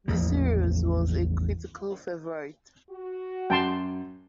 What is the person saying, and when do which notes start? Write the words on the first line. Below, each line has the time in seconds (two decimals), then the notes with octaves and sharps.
The series was a critical favorite.
0.08 A1 E2 F3 A#3
2.90 F#4
3.50 F#2 G5 A5 C6